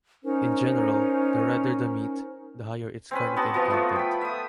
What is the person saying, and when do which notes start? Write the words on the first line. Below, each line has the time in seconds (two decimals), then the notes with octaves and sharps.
In general, the redder the meat, the higher its carnitine content.
0.24 C#4 D#4 A#4 C5
3.11 C4 C#4 B4
3.36 B3 C4 F#4 A5
3.54 F3 B3 F4 F#4
3.70 F3 A3
3.96 G5 B5
4.21 E5 D#6